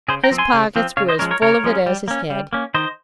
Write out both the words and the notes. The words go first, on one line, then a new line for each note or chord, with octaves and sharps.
His pockets were as full of it as his head.
C#3 G#4 C5
G5 A#5
F3 C4
G#5 C6
C#3
F3 C4
C#3 C#5 F5
C5 D#5
F3 G#3 C#4 A#4 C#5
A#4 C#5
C#3 A#4 C#5
F3 G#3 C#4
G3
A#3 C#4
G3
A#3 C#4
D#3 C5 D#5